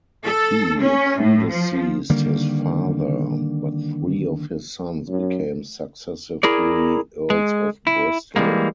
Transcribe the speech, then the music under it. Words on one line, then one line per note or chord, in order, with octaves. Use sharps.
He predeceased his father, but three of his sons became successively Earls of Bristol.
A4
C#4
A2
F3
D3 D#3 G3 A#3
F#2
E4 G#4 A#4 D5
G#3
E4
E3 G3 G#3 A#3